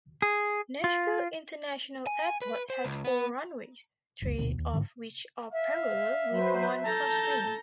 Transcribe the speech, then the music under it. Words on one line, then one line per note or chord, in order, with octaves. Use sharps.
Nashville International Airport has four runways, three of which are parallel with one crosswind.
G#4
F4
G#5
B4
C5
C#2
B3
F#1 C#2
D#1 D2 B2
D#2
G#2 D3 D#3
E5 F5
F#3 B4 C5
A4 A5 A#5 G6